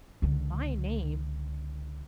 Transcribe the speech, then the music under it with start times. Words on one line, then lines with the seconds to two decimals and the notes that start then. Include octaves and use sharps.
My name!
0.22 C#2 D3